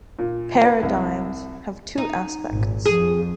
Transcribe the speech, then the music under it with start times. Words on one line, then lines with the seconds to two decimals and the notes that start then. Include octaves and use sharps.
Paradigms have two aspects.
0.19 A#2
0.64 B4
0.83 C2
1.98 D#4
2.50 G#1 A#2
2.86 F2 F3 G#4